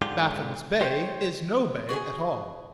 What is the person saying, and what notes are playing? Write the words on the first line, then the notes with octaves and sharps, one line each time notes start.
Baffin's Bay is no bay at all.
G#2 D3 F4 G4
G4 C5 C#5 F5 G5
F#4 G#4 D#5 G#5